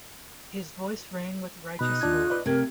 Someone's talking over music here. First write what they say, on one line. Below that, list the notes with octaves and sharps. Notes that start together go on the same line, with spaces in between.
His voice rang with righteous horror.
B2 D#4 B5 F#6
D#2 D4 F4 G#6
B4 D5 D#5
C3 A3 A#4 G#6